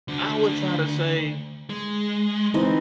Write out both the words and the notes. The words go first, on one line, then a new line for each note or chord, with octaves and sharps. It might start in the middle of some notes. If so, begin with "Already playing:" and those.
I would try to say
D2 D3
G#3
E3 C4 D#4